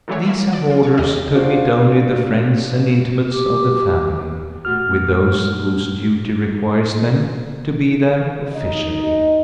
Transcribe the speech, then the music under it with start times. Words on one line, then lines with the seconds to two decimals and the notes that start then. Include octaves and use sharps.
These have orders to admit only the friends and intimates of the family, with those whose duty requires them to be there officially.
0.08 D3 E3 F#3 G#3 A3 C#5
0.25 A#3 E5 B5 E7
0.53 D5
0.70 F4
0.83 C#5 C#6
0.97 D#2 D#3 G4 D#5 F6 D#7
1.35 D4 F4 F#4 C5 D5
3.28 G4
4.65 A#2 A3 F#4 F6
8.53 D#4 D#5